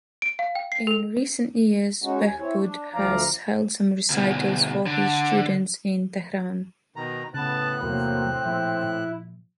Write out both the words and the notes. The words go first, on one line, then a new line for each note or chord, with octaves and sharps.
In recent years Behboud has held some recitals for his students in Tehran.
D7
F5
G5
C7
A4
G#3 C#4 D#4 F#4
D#2 G#5
C4 E4 C#5
D4
D2 F3 D5 F5 A#5
D2 B2
D3
B2 D#3 A#5
A2 C#3 B3 A5 F#6
E2 C3 F#3 A#3 C4
A#2 F3 E4